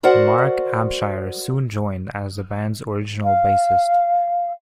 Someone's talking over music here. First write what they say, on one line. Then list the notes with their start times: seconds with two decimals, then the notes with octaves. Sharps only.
Mark Abshire soon joined as the band's original bassist.
0.03 F#4 A#4 C5 D5 F#5
3.23 F5